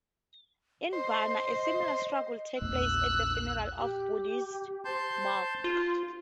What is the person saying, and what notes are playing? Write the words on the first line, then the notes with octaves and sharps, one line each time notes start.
In Burma, a similar struggle takes place at the funeral of a Buddhist monk.
C5 D#5
A#1 E2 A3 E6 F#6
G4
C5 A5 C6 G6
F4